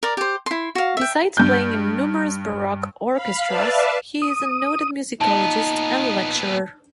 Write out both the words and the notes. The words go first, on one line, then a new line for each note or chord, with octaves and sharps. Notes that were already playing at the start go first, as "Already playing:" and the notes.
Besides playing in numerous baroque orchestras, he is a noted musicologist and lecturer.
A#4 D5
G4 C5
E4 C6
F#4 F5
E5 G5
G2 G6
F5 B5
B4 D5 E5 F5 A5
D#6
A#2 B3 D#4 A5